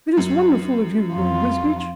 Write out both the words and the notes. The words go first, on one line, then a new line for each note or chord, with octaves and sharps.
"It is wonderful of you, Lord Wisbeach."
F#2
F2 F4